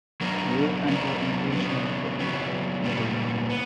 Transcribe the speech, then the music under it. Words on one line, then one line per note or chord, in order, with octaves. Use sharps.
You and your engagement book, indeed.
F#3 B3 D4 A#4
F#3 B3 D4 A#4
C#3 F#3 B3
C#3 F#3 B3
A#2 G3 B3
B3